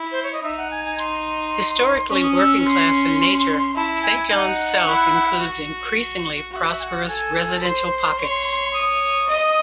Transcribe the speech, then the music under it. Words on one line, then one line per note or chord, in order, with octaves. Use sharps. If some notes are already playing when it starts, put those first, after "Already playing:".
Historically working class in nature, Saint John's South includes increasingly prosperous residential pockets.
Already playing: E4
C5
C#5
D#5
D#4 E5
F#5
G#5
G#5
C6
C#4 C#6
D#6
E6
C6
E4 A5
G#5
D#4 G#5
F#5
E4
F#4
F#4 E5 F#5
G#5
F#5
A4 G#5
A5
C5 C6
C#5
D#6
D#5